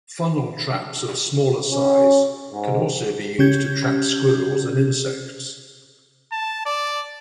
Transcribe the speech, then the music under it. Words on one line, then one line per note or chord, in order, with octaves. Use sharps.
Funnel traps of smaller size can also be used to trap squirrels and insects.
C#4
G#2
C#3 C#4 G4 G6 G#6
A5
D5